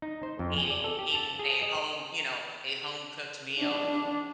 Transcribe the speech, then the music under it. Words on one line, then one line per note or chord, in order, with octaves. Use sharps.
eating eating a home, you know, a home-cooked meal,
D#4
C5
F2
G#5
D5
A4
G4
A5
G#4
D#5
D4